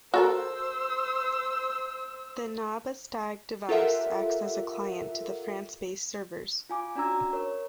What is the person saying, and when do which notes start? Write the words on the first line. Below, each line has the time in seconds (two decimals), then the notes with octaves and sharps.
The Nabaztag device acts as a client to the France-based servers.
0.14 F#4 A4 A#4 C5 E6
3.69 F4 G4 A4 A#4 E5 F#5
6.69 F4 G#5 D6
6.95 C#4 D4 F#4 A#5 E6 G#6
7.33 A#4 C#5